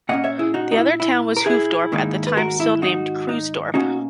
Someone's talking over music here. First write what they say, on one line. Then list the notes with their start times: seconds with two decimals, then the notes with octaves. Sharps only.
The other town was Hoofddorp, at the time still named Kruisdorp.
0.09 A#2 A#3 C#4 D#5 F#5
0.24 C#5 E5
0.39 E4 G#4
0.54 D#4 F#4
0.72 D#4
0.78 E4
1.00 E4
1.37 A#4
1.46 E4 G#4
1.92 G#2 D#3 A#3 D#4
2.27 B4
2.37 F#4 A#4
2.60 E4
2.82 D#4 F#4
3.29 D#4
3.74 B2 A#3 C#4 D#4 F#4